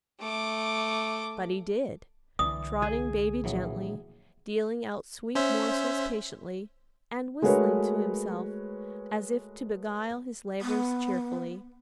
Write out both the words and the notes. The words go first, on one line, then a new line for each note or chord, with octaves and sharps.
But he did, trotting baby gently, dealing out sweet morsels patiently, and whistling to himself, as if to beguile his labors cheerfully.
A3 D6
C2 D3 E3 D5 D#6
G#4
A#1 E3 F#3
C#4 C5 E5
G#3 A3 F#4 A#4 B4 C#5
B3